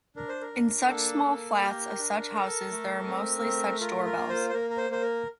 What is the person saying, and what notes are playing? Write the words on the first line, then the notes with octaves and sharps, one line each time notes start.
In such small flats of such houses there are mostly such door bells.
D4 A#4
C5
A#4
D4
A#3 A4
A#3
G4 A#4
D4
A4
A3
C4
A3
F4 A#4
A#4
A#3
C5
C5
A#3 A#4
A#4
C5
A#3 C5
A#4